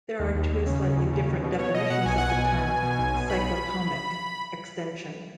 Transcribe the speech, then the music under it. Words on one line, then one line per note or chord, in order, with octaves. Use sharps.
There are two slightly different definitions of the term cyclotomic extension.
D#2
D#2
D#2
C#3
C#3
D#2
C#3
D#2
B2
B2 C#5
B2 D#5
B2 F#5
B1 G#5
B2 F#5
G#5
B1
B2
B2
B2
B1
B2
B1 B5